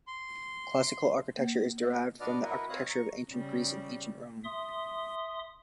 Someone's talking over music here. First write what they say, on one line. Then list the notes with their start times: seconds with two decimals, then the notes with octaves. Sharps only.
Classical architecture is derived from the architecture of ancient Greece and ancient Rome.
0.07 C6
1.37 A#3
1.83 D#5
2.20 D4 F#4 B4 D5 D#5 F6
2.42 E4 F#4 A#4 B4 D#5
2.69 C4 C#5 D#5 F5 D#6 F#6
2.89 A#5 C#6
3.31 C#3 G3
4.44 E5 C6 D#6